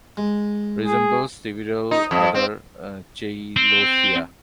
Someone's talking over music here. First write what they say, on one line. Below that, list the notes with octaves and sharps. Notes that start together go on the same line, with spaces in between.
Resembles several other "Cheilosia".
G#3
G#4
D#4
F2
C4
C4